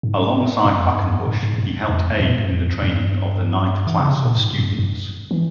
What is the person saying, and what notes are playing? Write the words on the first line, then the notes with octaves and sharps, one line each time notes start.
Alongside Quackenbush, he helped aid in the training of the ninth class of students.
G#2
G2
F2
G2
G#2
G#2
G2
F2
G#2
A#2
G#2
G2
F2
G2
E3
C#3
C3
A#2
G#2
G2
G2
E3